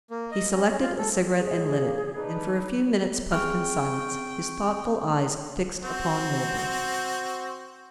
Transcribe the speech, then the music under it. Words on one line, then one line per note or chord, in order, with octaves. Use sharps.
He selected a cigarette and lit it, and for a few minutes puffed in silence, his thoughtful eyes fixed upon Milburgh.
A#3
D#5
C#4
C#4
F4
A4
A2 G#3 G#4
A#3
D4 D#4 B4
C4 G#4 G5 C#6 F6
C4 F#4 C5